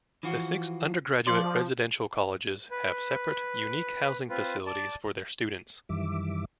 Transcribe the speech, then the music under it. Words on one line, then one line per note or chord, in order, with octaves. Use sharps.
The six undergraduate residential colleges have separate, unique housing facilities for their students.
E3 F3 F#4
F3 D5 C6
B4
C4 F4 B4
D5 A5
F#2 D#3 E3 G3 E5 D6